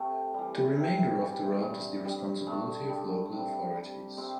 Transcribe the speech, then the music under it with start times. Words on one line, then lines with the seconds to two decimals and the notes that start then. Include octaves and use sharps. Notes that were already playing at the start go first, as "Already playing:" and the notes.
The remainder of the route is the responsibility of local authorities.
Already playing: C3 A3
0.34 E3 G3
0.77 C3
1.19 E3 G3
1.62 G2
2.05 G3
2.47 G2 A3 D4
2.89 G3
3.32 C3
3.75 G3
4.17 C3 G3 C4